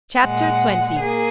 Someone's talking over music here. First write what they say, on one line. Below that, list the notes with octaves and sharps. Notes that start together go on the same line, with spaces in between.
Chapter XX.
A#2 G#3 F#5
A#3 G#4